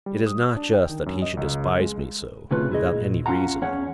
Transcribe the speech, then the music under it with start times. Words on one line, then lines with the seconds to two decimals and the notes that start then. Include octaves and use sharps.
It is not just that he should despise me so, without any reason.
0.06 G3
0.27 D#6
0.56 D4
0.73 G5
0.89 D#3
1.06 F#2
1.22 D#5
1.37 C#2
1.79 G#3
2.51 C#2 A2 C3 C#4 F4 B4
2.71 E4 G#4 D#5
2.92 A#2
3.26 C#4 F4 F5 F#5 A#5
3.62 E2 C#4 C#5 F#5